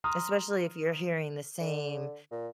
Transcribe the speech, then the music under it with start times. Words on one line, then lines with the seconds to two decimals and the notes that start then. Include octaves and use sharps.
Especially if you're hearing the same,
0.04 A#5 C6 D#6 F6
1.61 D3
2.31 A#2